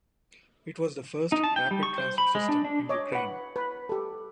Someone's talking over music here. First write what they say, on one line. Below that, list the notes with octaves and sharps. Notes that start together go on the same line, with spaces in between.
It was the first rapid transit system in Ukraine.
D#4
A5
G5
G3
C#6
C5
B5
G#3
D4
D4
C#5 D#5 D6
B4 F#5
B4
G4 A4